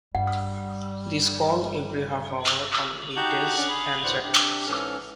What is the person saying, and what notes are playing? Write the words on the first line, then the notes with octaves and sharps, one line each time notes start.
These call every half-hour on weekdays and Saturdays.
G2 G3 F#5
D#4 F#4 G4 F#5 A5 G6
C#4 D4 D5 F#5
G#4 B5
D2 A2 E3 C5 D5 F#5
C3 D4 G4
G#2 E3 C#4 A4 F6